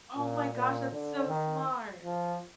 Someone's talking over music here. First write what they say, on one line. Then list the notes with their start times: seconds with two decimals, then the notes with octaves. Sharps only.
Oh my gosh. That's so smart.
0.16 A#2
0.54 A#2
0.92 D3
1.28 D#3
2.04 F3